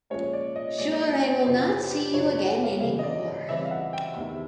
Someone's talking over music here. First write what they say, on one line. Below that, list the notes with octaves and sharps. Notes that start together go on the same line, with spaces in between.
Sure I will not see you again any more.
A#2 F3 G#3 C#4 C#5
D5
D#5
A#2 F3 G#3 C#4 D5
D5
C#5
F#2 C#3 F3 C5
B4
G4
F#2 C#3 F3 C#5
C#5
F#5
F5
C#3 E3 G3 C4 F5
D#5
D5
D#5
C#3 E3 G3 C4 E5
F5
F#5
G5
E2 C3 D#3 E5